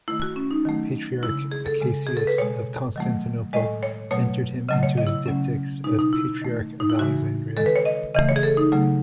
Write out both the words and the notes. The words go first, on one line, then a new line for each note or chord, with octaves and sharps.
Patriarch Acacius of Constantinople entered him into his diptychs as Patriarch of Alexandria.
D#3 A3 E4
F#4
C#4
D#4
D#3 F#3 A3
C#3 G#3 E4
G#4
A4
C#3 G#3
G#4
A4
B4
B2 G#3 C#5
D#3 F#3 A3
A2 G#3 D#5
C#5
B2 F#3 A3 C#5
C#3 F#3 A3 D#5
C#5
D#5
E4
C#3 F#3 A3 C#4
B2 G#3 D#4
D#4
E4
D#3 A3
D#4
E4
C#3 E3 G#3 F#4
D#3 G#3 A4
B4
C#5
D#5
C#3 E3 A3 D#5
C#5
G#4
A4
D#4
C#3 F#3 A3